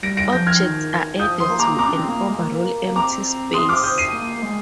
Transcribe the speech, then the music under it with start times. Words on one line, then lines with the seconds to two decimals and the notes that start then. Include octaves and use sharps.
Objects are added to an overall empty space.
0.03 G3 A#6 D7
0.17 A#6 D7
0.32 F3 G6 A#6
0.47 F6 G#6
0.56 F3
0.61 D#3
1.16 D#3
1.19 F3 D#6 G6
1.40 C6 D#6
1.50 A#3
1.59 A#5 D6
1.78 C4 A#5 D6
1.88 D4
1.98 C4
2.08 A#3
2.30 G#3
2.37 A#3
2.87 A#3
2.96 C4 A#5 D6
3.54 C6 D#6
3.69 D6 F6
3.83 D#6 G6
3.98 C7 D#7
4.13 A#3
4.36 A#3
4.42 G#3